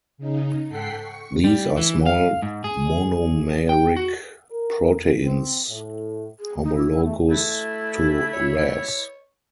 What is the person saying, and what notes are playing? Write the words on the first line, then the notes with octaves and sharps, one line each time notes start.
These are small monomeric proteins homologous to Ras.
C#3 D#4
G#2 A4 F#5 G5 B6 C7
C#6
G3
E3
F5
G#2
G#4
G5
F#4
A#4
C4
A2
G#4
D#4
E4
A3
A3 E4
C#5